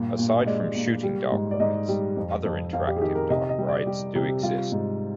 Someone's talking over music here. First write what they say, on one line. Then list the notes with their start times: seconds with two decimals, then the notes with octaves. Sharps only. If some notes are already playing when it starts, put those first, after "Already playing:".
Aside from shooting dark rides, other interactive dark rides do exist.
Already playing: G2 A#2
0.19 A#2
0.46 G#3 D5
0.75 A#2
1.03 G3
1.32 G#2
1.51 D5
1.60 G#2 D#5
1.88 G3
2.17 F2
2.45 F2
2.73 F2 F5
2.87 G4
2.96 G#4
3.01 D#3 G4
3.15 A#4
3.30 C3 D#5
3.49 D#5
3.58 G3
3.68 D5
3.86 G3 G4
4.15 C3
4.43 G3 F4
4.72 G#2